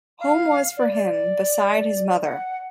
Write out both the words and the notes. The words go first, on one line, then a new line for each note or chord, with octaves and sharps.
Home was, for him, beside his mother.
F5
D5
D5
F#5